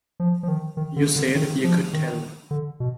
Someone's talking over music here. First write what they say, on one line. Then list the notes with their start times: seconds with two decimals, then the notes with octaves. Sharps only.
You said you could tell.
0.20 F3
0.43 F3
0.48 D#3
0.77 D#3
0.96 D3
1.16 D3
1.35 D#3
1.64 F3
1.93 D#3
2.51 D3
2.80 B2